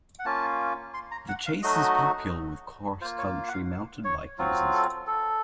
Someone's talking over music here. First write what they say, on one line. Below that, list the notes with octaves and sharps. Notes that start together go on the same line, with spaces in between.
The Chase is popular with cross-country mountain bike users.
F#5
A#3 C#4 F4 A5
C6
A#5
F#5
F5
F#3 A3 D#4 F#4 D#5
A#3 F4 C5
C#5
F#5
F5
C#5
F#3 C4 F4
A4
A4